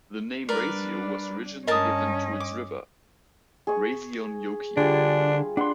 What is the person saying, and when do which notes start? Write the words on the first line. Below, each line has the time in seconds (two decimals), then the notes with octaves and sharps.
The name "Raisio" was originally given to its river, Raisionjoki.
0.49 G3 D4 A#4 B4 D5
1.67 G2 C#4 A#4 D#5 A5 D#6
2.40 D6
3.67 G#4 C#6
4.77 D3 G3 D4 F4 G#4
5.57 D4 F#5 B5 C6